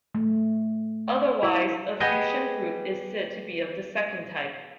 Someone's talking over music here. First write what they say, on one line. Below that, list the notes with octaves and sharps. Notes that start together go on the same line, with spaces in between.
Otherwise, a Fuchsian group is said to be of the second type.
A3
E4
B3 G4 G#4 D#5